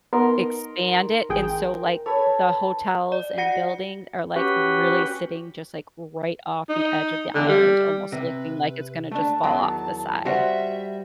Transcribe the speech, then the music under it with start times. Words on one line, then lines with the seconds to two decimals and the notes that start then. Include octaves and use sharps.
expand it, and so, like, the hotels and buildings are, like, really sitting just, like, right off the edge of the island, almost looking like it's gonna just fall off the side.
0.13 B3 D#4 A#4 C6
1.29 A1 G#4 G5
2.06 A4 B4 C#5
3.12 D5
3.38 F#4 F#5 A#6 C#7
4.36 C#4 F#4 G4 B4
6.69 D#4
7.34 D3
7.48 G3
8.12 C3 B4
9.12 A3 D4 A5
9.43 E2 D#3 F#3
10.25 G3 F#4 C5 E5